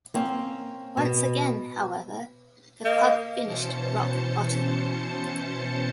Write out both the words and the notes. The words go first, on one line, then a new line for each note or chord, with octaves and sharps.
Once again however the club finished rock bottom.
A#3 C4 C#4
B2
A#3 D#5
B2 E3 C#4 C5 A5 C#7